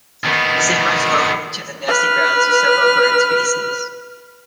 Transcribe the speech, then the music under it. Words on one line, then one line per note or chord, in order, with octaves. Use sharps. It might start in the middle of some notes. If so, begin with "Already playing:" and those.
The Sandbar is home to the nesting grounds of several bird species.
D#3 B3
B4 F6